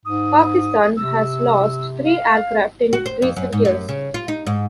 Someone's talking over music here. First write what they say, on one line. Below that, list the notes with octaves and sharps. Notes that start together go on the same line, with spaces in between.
Pakistan has lost three aircraft in recent years.
G#2 D#6
C3 E6
F5
F#4
C5
F2
F#2
G#2
F#2
C#3
F4
D#4
G#2